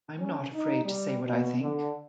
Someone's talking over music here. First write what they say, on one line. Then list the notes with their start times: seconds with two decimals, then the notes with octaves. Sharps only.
I'm not afraid to say what I think.
0.18 C#4
0.52 D#4
0.84 G3
1.25 B2
1.60 D3